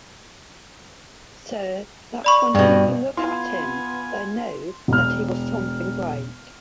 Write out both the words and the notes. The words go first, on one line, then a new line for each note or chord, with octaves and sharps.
So that when people look at him, they know that he was something great.
D5 B5 C#6
G2 B2
B3 F4 G#5 C6
E1 F6